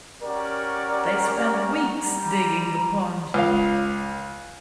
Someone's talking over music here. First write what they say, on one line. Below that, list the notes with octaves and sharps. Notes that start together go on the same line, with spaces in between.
They spent weeks digging the pond.
C#4 F#4 G4 A#4 D5
G3 A#5
C#2 F5